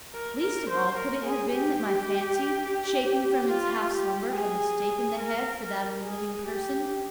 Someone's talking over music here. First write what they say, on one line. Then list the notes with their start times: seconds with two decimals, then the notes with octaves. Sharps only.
Least of all, could it have been that my fancy, shaken from its half slumber, had mistaken the head for that of a living person.
0.14 A#4
0.41 A#4
0.70 C5
0.97 A#4
1.26 G#4
1.53 G4
3.51 F4
3.93 G4
4.35 G#4
5.19 A#4
5.61 A#4
6.04 G#4
6.46 G4